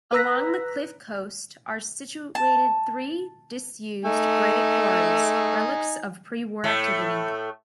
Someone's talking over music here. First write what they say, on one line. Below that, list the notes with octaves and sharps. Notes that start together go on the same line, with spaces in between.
Along the cliff coast are situated three disused granite quarries, relics of pre-war activity.
B4 A#5 E6 F#6 A#6 B6
A5
A3 D#4 G#5
A2 A3